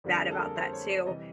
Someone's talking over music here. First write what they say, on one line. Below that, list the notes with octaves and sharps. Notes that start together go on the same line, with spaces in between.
bad about that too,
F2 D3 G3 A#3 D4
G#4
A4
A#4
C5
C#5
D5
C3 E3 G3 D#5